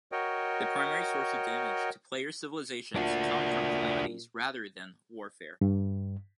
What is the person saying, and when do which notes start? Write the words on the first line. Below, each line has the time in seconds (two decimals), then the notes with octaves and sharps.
The primary source of damage to players' civilizations comes from calamities rather than warfare.
0.12 F#4 A#4 C#5 D#5 G5
2.96 A#2 D4 F#4
5.61 G2